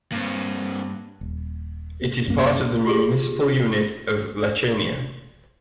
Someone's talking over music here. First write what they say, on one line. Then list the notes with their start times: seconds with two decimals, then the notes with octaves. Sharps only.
It is part of the municipal unit of Lechaina.
0.12 G2 A#3 C4
1.21 D#1
2.28 C2 F#2 A#3 C#4
2.85 F4 G4 G#4